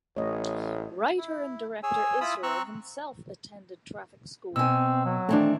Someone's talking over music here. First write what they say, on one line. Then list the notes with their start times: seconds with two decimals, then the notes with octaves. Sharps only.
Writer and director Israel himself attended traffic school.
0.16 A1 A3 C#5 D#5
1.18 E4
1.83 G#4 C#5 G#5 E6
2.21 E4 F4 B5 D#6 E6
2.43 C4 A#5 C#6 E6 F#6
4.56 B2 C4 G#5 E6
5.05 F#3
5.29 D#3 E3 A3 C4 D4